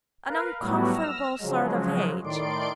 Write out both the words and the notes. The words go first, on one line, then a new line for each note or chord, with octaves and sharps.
'An uncomfortable sort of age.
A#4 B4 F5
A2 F#3 G3 B3 E4 F#4
E6 F6 A#6
C#3 F3 F#3 G#3
A2 D#3 D5 C6 D7